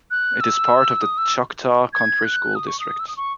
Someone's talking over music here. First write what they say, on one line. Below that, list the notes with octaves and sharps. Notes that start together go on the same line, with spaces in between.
It is part of the Choctaw County School District.
F#6
E6
D#6
E6
G#6
F#6
D#6
C#6
D#6
E6
D#6
C#6